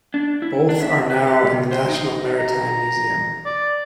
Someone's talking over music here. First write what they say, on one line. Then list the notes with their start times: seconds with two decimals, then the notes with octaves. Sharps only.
Both are now in the National Maritime Museum.
0.14 D4
0.42 E4
0.69 D4
0.83 E5
1.10 B4
1.27 G4
1.52 C#3
1.71 C5
1.89 D#4
2.39 A#5
3.45 D5